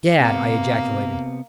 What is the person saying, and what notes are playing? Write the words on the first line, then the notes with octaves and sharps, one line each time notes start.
"Gad!" I ejaculated.
C3 A#3 B3